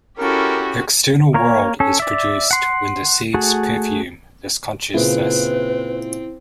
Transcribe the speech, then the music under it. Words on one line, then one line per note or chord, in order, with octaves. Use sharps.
The external world is produced when the seeds "perfume" this consciousness.
C#4 E4 F#4 G4 A4 A#4
A#3 A#4 C#5
C#4 A4
D5 E5
F#5 C6
A3 F#4 G#4
A#2 C#3 C4 E4 B4